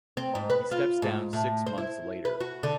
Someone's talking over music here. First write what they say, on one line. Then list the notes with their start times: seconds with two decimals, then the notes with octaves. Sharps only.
He steps down six months later.
0.17 C4
0.35 G#2
0.50 B4
0.71 F4
1.02 G#2
1.33 A2
1.66 C5
1.78 E4
2.25 B4
2.40 F#4
2.63 D3